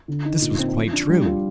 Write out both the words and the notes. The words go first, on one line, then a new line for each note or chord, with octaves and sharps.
This was quite true.
D3
D#4
A#2
C4
F3
D4
G3
F4